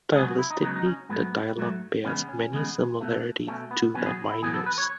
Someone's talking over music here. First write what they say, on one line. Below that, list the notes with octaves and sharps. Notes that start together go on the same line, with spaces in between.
Stylistically, the dialogue bears many similarities to the "Minos".
C#2 C#3 F#3 B3 G#4
F#4
E4
D#4
C#2 C#3 F#3 B3 D#4
D#4
C#4
G#2 F#3 A3 B3
G#2 F#3 A3
E2 C#3 G#3 B3 C#4
C#4
E2 C#3 G#3 B3
B2 A3
B2 A3 C#4
B3
E2 B2 F#3 B3 C#4
G#4
E4
E2 B2 F#3 B3 G#4
A4
B4
C#5